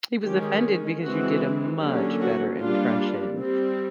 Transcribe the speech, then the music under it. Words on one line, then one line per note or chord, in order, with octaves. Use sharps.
He was offended because you did a much better impression,
D#3 G#3 C#4 G4
E3 G#3 C4 F#4
D3 F#3 A#3 C#4 G4
F#4
G3 A#3 D4 F4
G3 C4